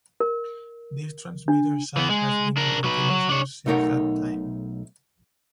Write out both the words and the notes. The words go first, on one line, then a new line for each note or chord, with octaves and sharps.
This transmitter site has been in continuous use since that time.
A#4
D4
E3 B3
G#3
D4 A#4
F#3 B4
F#3
D4 C#5
B1 A3 D#4 A#4 C#5 F#5